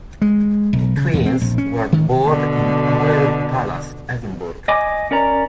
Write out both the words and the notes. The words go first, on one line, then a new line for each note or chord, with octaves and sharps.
The twins were born in Holyrood Palace, Edinburgh.
G#3
B1
C#3
E2
C4
A#1
C#4
D#3
B2 D3
D#5 G#5 D6
C#4 A#4 D5 A#5